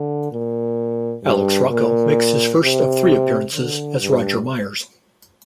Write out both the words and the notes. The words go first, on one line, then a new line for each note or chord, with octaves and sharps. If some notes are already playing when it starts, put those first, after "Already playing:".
Alex Rocco makes his first of three appearances as Roger Meyers.
Already playing: D3
A#2
G2
A#2
C3
D3
G2